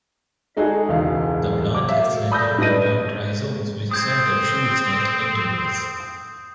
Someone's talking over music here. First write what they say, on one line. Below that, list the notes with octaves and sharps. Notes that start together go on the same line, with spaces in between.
The plant has slender underground rhizomes which send up shoots at intervals.
G#3 D#4 F#4 G#4 A4
E1 C#2 F5
F#3 D6
E5 F5
D5 B5 D#6 E6 G6 A#6
G2 D4 B4 D#5 A#6 D#7
C4 D#6 G6 G#6